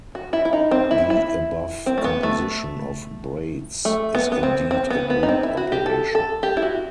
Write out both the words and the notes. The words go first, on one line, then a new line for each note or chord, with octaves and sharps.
The above composition of braids is indeed a group operation.
F#4
E4
E4
D#4
C4
E4
E4
C4
A3
B3
A3
A3
B3
B3
C4
C4
B3
B3
D#4
C4
E4
F#4
G4
A4
A4
G4
E4
F#4